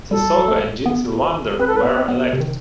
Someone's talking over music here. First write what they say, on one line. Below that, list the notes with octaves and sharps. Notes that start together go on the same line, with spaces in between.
Sissoko and Jean Silvandre were elected.
G3 A4
A3
B3
C4 B4
A4
B4
B3
C4
B3
C3
D#3